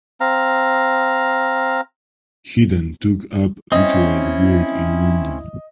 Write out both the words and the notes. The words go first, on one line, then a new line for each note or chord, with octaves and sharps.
He then took up literary work in London.
C4 F5 A#5
C4 C#4 E4 D#5